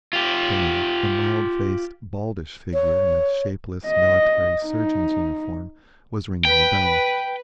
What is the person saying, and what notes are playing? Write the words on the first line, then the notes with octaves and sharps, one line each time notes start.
Dan, a mild-faced, baldish figure in a shapeless military surgeon's uniform, was ringing the bell.
F4 G4
C#5
D#5
D#4
B4 G5